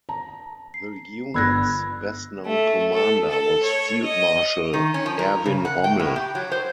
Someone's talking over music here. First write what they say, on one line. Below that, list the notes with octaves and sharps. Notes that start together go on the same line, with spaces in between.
The unit's best known commander was Field Marshal Erwin Rommel.
A5 A#5
C7
G1 B5 E6 F#6 G#6 A#6
A3
A4
A4
C#5
D#5
D#3
C#4
F3
A#4
C#3
F#5
G5
A2
G4
F#3
C5